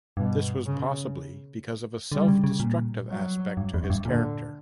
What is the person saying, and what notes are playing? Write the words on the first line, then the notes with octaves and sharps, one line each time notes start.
This was possibly because of a self-destructive aspect to his character.
G2 B2
C#3
D3 G3
C#3
C#3
A#2
F#3
G2
E2
F#2
G2
A#2 D3